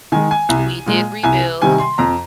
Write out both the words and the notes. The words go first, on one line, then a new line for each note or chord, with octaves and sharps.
we did rebuild
D#3 G#3 G#5
G#5
C2
A#2 G#3
C2 G#5
C3 D#3 G3 G#5
C6
F2 A#5